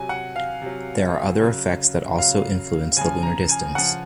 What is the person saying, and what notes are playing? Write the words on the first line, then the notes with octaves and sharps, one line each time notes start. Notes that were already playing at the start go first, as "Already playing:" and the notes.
There are other effects that also influence the lunar distance.
Already playing: C3 F#3 G#5
F#5
F5
C3 F#3
C#3 F#3
C#3 F#3 F5
C#3 F3 G#5
A#5
G#5
C#3 F3 F#5